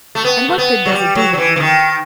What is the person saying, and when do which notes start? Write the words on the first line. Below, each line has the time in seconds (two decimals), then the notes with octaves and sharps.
"And what good does it do to know him?"
0.15 A3
0.24 B3
0.49 A3
0.58 B3
0.85 F#3
0.92 G3
1.16 F#3
1.33 F#3
1.37 E3
1.56 E3
1.60 D#3